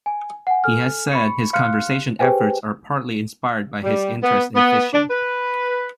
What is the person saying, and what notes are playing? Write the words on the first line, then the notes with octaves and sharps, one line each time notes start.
He has said his conservation efforts are partly inspired by his interest in fishing.
G#5
F#5 G#5
A4 G#5 F6
B5 C#6 C#7
F5 C6 F6 F#6 C#7
G4 G#4 B4 C5 G5 G#5
G3
B3
B3
D4
B4